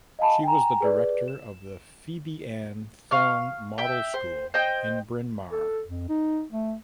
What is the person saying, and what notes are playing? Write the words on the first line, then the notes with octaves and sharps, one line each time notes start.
She was director of the Phebe Ann Thorne Model School in Bryn Mawr.
D#5 F5 G#5 A5 B5
G5 G#5 A#5
G#4 B4 D5
E7
F5 C#6 F6
E5 G5
C5
C5 D#5 G5
A4
F2
D#4
A3